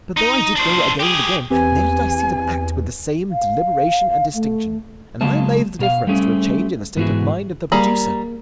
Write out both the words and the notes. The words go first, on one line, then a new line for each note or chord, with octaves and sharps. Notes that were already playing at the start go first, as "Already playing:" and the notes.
But though I did go again and again, never did I see them act with the same deliberation and distinction, and I laid the difference to a change in the state of mind of the producer.
D#4
D4 C5
G4 G#4
E2 C4 G4 B4 G#5
F5
A3
C#3 F#3 G#3 A#3 A5
B2 A#4 F5
G3 A3 C4 C#4 G#4
G#2 E3 B3 C#4 F#4 G#4
G3 A#3 G#4 A#5 B5